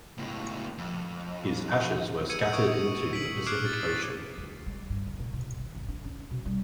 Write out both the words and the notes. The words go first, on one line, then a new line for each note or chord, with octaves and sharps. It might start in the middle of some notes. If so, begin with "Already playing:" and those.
His ashes were scattered into the Pacific Ocean.
C#2 A2
F2
E6 G#6 C#7 D#7
C#6 D#6 E6 D7
B6 D7 F#7
D6 F6 F#6 G#6 C7 D7
A6
A6
D2
G#3
G2
D3
A#2
B2
D#3
G#1
D4
C#4
B2
G3